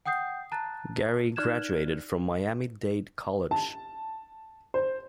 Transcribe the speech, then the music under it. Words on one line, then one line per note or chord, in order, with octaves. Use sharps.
Gary graduated from Miami Dade College.
F#5 G5 D#6 G6 C7
A5 A#5 F#6 A6
D#4 D5 F6 F#6 G#6 E7
A5
C5